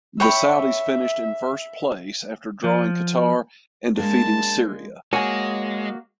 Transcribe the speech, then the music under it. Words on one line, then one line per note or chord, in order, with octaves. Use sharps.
The Saudis finished in first place after drawing Qatar and defeating Syria.
C#5 E5 G5 B5
F3
G#3 A#3 D4 A5
G#3 A#3 F#4 C#5 G#5